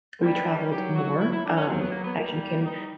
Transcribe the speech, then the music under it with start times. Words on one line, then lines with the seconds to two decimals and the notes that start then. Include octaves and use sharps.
we traveled more, um, as you can
0.22 G3 A#3
0.35 B3
0.46 D4
0.59 C#4
0.71 F#3 G4
0.95 F#4
1.19 E4
1.31 E4
1.44 D4
1.56 C#4
1.68 F#3 C4
1.81 B3
1.92 A#3
2.04 B3
2.16 G3 A#3
2.65 D#4